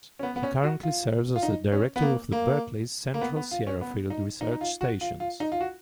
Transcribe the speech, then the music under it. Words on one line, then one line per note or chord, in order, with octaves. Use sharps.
He currently serves as the director of Berkeley's Central Sierra Field Research Stations.
C#4
B3
B3
C#4
F#4
F4
F4
D#4
C#4
B3
A#3
A#3
A#3
B3
B3
F4
C#4
B3
D#4
D#4
D#4
F4
F#4
F4
F4
D#4
F4
F#4